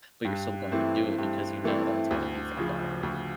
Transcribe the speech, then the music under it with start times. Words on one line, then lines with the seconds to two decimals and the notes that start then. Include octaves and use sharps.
but you're still going to do it because you know that it's gonna be for the better.
0.25 G2
0.71 E3 A3 C4 E4
1.18 G2
1.64 E3 A3 C4 E4
2.11 D2
2.57 C#3 F3
3.03 D2